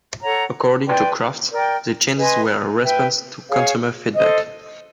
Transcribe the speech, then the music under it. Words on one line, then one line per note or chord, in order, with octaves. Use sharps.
According to Kraft, the changes were a response to consumer feedback.
A4 C#5 F#5 A#5
B4 D5 G5 C6
A#4 D5 G5
B4 D#5 G#5 C6
B4 E5 G5
G#4 C#5 F5
A4 C5 D#5